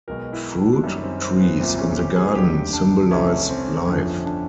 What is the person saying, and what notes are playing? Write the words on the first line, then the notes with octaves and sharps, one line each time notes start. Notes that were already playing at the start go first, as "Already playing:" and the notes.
Fruit trees in the garden symbolize life.
B1 B2 G#3 A#4
E4
D4
D4
F#2 D#3 G3 C#4
C4
C4
B3
C2 A#2 G3 C4
C#4
G4
G#4
F1 D#2 D3 G4
D4
C2 C3 E3 A3 C#4
C4
G1 F2 D3 F3 A3 C#4
D4